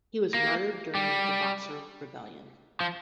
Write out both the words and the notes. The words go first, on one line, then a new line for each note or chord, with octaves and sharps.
He was martyred during the Boxer Rebellion.
A#3
G3
F3